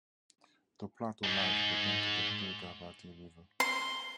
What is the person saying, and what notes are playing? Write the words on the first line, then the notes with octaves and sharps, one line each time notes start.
The plateau lies at the bank of the Durgavati River.
G#2
C6